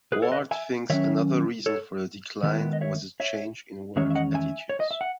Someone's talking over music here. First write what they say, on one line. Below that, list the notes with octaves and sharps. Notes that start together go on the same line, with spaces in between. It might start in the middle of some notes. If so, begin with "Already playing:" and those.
Ward thinks another reason for the decline was a change in work attitudes.
G#4 B4
A4 C#5
B4 D#5
E5 G#5
D#3 F#3 C#4 C#5 E5
A4 C#5
D#3 G#3 B3 E4
D#5
C#5 E5
C#5 E5
E2 D#3 G#3 C#4 C#5 E5
E5
D#5 F#5
E5 G#5
C#5
D#5
E5
F#5